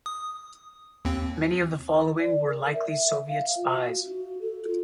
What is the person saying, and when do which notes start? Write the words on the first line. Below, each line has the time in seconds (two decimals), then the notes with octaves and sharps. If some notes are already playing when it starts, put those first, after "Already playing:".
Many of the following were likely Soviet spies.
0.06 D#6
1.05 D#2 C4
2.20 D5
2.48 A#4
2.73 E5
2.91 E5
3.29 F5
3.56 F4
3.71 F#4
4.06 F#4
4.41 A4
4.67 F4